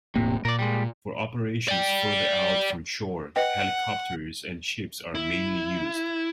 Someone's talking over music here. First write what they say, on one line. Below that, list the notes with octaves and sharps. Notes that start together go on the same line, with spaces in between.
For operations further out from shore helicopters and ships are mainly used.
E1 A2 C3 A#3
A#2 A#4 D5
G3 G#3
D5 G5
B4 D#5 F#5 G5
E4